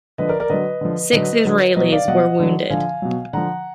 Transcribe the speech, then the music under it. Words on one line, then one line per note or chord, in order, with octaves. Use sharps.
Six Israelis were wounded.
D3 F3 B4 D#5
A#4 D5
A#4 D5
D3 F#3 B4 D#5
D3 F3
D3 F#3 B4 D#5
D3 F#3
B2 F#3 B4 D#5
D5 F5
B2 F#3 D#5 F#5
D3 F#3
D3 F3 F5 G#5
B2 F#3
D3 F3 F#5 A#5